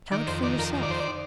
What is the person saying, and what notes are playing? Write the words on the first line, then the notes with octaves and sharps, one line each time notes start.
"Count for yourself."
D#3 D5
F2 C5
D#3 D5
F2 A#4
D#3
D5
F2 C5
D5